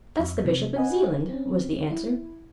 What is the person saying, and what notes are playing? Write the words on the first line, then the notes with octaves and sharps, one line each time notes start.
"That's the Bishop of Zealand," was the answer.
F2
C3 F3
B4 D#5 F#5 G#5
C4 C#4
E4